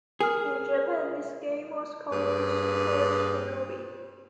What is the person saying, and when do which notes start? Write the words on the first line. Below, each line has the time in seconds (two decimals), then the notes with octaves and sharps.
In Japan this game was called "The Super Shinobi".
0.20 G#4 A#4 F6
2.11 G2 A#3 G#4 B4